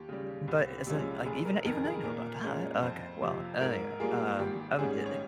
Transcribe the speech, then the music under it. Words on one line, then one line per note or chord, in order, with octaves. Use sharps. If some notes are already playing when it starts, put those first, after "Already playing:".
But isn't like even even I know about that okay, well, anyway, um um i eh
Already playing: D#2 G4
C#3 G3
C2
C3 F3 G#3 C#4
F1 G#4
A#4
F2 D#3 A#4
G#4
A#2 A#4
G#3 C#4 F4
F2 C5
C3 F3
G#2 A#4
G3 A#3 F4 G#4
G#1 G4
G#2 G3 C#4 G#4
C#5